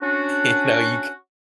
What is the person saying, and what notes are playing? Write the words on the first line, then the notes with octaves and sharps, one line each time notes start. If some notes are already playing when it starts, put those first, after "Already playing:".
You know, you
C#4 D4 F#4